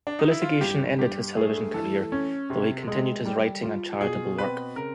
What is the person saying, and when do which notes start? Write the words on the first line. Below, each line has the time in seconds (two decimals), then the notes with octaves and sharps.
The litigation ended his television career, though he continued his writing and charitable work.
0.07 D4
0.19 E3 D#4
0.31 E4
0.42 F4
0.61 G2 G4
0.99 G2 G4
1.37 A3 G#4
1.74 E3 A4
2.12 C#4
2.50 C3
2.88 G#3
3.25 G3
3.63 F4
4.01 B2 G#4
4.38 C4 B4
4.76 C#3 A#4